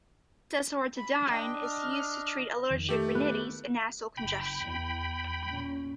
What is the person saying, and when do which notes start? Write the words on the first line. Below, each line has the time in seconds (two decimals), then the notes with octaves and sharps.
Desloratadine is used to treat allergic rhinitis and nasal congestion.
0.97 B5
1.30 D4 D#5 G5
1.63 F6
2.71 F2 D#3
2.89 A3 G4
3.15 B4
3.27 B3
4.17 F#1 G5 B5
4.63 E2
5.46 A#2 C#4